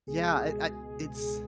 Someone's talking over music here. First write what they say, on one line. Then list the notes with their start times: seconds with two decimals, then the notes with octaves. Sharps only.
Yeah, it I it's
0.07 C#2 B2 G#3 G#4